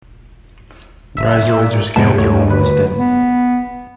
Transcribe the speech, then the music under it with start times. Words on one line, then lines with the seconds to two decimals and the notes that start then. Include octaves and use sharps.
Rhizoids are scattered along the stem.
1.17 F#1 E5
1.42 A#2
1.96 F2 C3 G#3 B3 A5
2.18 D#2 A2 C#5
2.50 D2 B4
2.99 B3